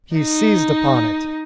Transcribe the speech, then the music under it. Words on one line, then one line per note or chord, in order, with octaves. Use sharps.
He seized upon it.
D#4